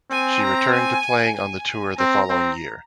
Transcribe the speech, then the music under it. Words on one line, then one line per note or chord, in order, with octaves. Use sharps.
She returned to playing on the tour the following year.
C4 G#5
A#5
G#5
G#5
C4 A#5
C4